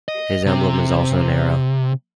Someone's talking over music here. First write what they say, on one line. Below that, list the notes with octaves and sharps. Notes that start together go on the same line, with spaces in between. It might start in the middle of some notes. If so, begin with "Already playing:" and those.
His emblem is also an arrow.
D#5
C3